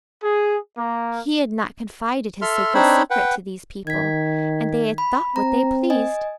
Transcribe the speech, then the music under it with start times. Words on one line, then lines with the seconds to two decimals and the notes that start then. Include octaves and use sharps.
He had not confided his sacred secret to these people, and they had thought what they pleased.
0.23 G#4
0.77 A#3
2.42 A4 E5 C6 F6
2.74 C4 D4 D#4 C5 C#5 B5
3.11 B4 F#5 G5
3.87 D#3 G#6 B6
4.98 B5
5.36 C4 A#5
5.90 D#5 G#5